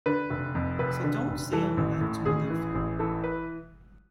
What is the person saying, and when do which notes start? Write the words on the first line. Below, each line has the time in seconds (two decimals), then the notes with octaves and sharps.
So don't say I'm like to other few.
0.06 D3 B4
0.30 F1
0.55 F2
0.79 F1 B4
1.04 D3
1.28 F1
1.53 E3 A4
1.77 A1
2.01 A2
2.25 A1 G#4
2.50 E3
2.75 A1
2.99 E3 A4
3.24 B4